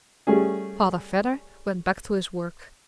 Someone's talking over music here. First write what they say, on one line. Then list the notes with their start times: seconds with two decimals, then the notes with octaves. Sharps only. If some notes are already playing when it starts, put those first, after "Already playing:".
Father Vedder went back to his work.
0.27 G3 A3 C#4 G#4